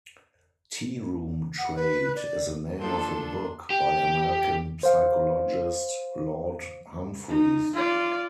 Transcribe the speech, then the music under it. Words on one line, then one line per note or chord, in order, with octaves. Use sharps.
"Tearoom Trade" is the name of a book by American psychologist Laud Humphreys.
F#5
B4
D5
A#2 F3 D4 A4 C6
G4
C5 F5
D#4
F4 D5